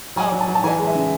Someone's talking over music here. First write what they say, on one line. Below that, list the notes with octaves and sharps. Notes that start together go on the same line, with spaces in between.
um Yeah,
F#3 G#5
F#3
A5
F#3
A5
E3 G#5
G#3
E5
C#3